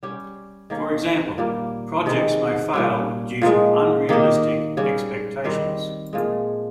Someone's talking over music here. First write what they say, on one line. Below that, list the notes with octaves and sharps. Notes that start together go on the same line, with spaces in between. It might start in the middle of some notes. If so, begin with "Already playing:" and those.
For example, projects may fail due to unrealistic expectations.
G3 C#4 G4
D#3 A#3 C#4
A#2 G3 A#3
C3 D#3 G#3
A#2 G3 C#4
A#2 F3 G#3
D#3 A#3 D#4 G4
C#3 G3 C#4
D#3 G3 C4
A#2 F3 G#3